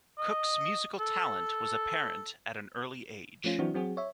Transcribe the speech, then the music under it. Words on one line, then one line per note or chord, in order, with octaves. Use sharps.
Cook's musical talent was apparent at an early age.
D#5
A4
F3 A3 C#4 F4
E3 F#3 C4 D4 E4 F#4
F#3 C4 F#4 G#4
C#5 E5